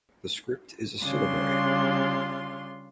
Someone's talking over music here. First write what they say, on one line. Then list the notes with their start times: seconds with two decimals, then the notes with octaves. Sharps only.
The script is a syllabary.
1.03 C#3 G3 D4 F4 C6